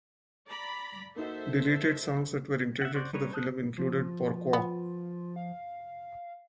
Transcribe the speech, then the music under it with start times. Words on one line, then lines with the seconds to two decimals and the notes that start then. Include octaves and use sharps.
Deleted songs that were intended for the film included Pourquoi?
0.47 D5 A#5 B5
1.16 A#3 D#4 F#4 A4 C5 E5
2.82 E5 F#5
2.94 F#4 C5 D5
3.13 G3 A#4 B4 C#5
3.33 C5 A5 D#6 F6 F#6
3.78 F3 F4
4.53 B3
5.36 F5